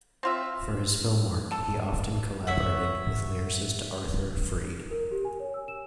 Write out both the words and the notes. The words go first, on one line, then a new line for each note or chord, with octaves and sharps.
For his film work, he often collaborated with lyricist Arthur Freed.
C4 F4 E5
A4
C#5 E5 F#5
A#4
G4
G#5
C#5
E6
E7